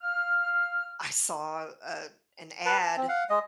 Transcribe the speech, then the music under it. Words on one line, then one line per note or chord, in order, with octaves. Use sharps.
I saw, uh, an ad
F5 F6
B4 A5
A5
C4
F5 F#5
G#3 D#5